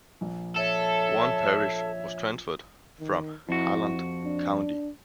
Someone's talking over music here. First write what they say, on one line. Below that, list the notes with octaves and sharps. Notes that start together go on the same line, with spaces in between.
One parish was transferred from Halland County.
A#1
A4 C#5 E5
D#3
F2 E4 F#4
D4